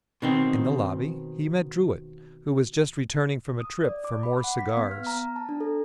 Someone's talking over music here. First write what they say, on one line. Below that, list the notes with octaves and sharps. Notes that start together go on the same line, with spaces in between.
In the lobby he met Drouet, who was just returning from a trip for more cigars.
B2 D#3 C4
D#6
D5
D6
B5
F#5
B6
B3
F6
A#5
A5
D4
A4